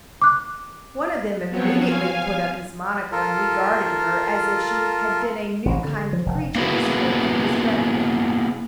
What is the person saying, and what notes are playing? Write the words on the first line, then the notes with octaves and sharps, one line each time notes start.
One of them immediately put up his monocle and regarded her as if she had been a new kind of creature displayed for his benefit.
D6 F#6
F3 F#3 B3 C4 C#5
F5 G#5
F4 A4 A#4
A1
D3
F3
F1
A#3 B3 E4 F#4 G#4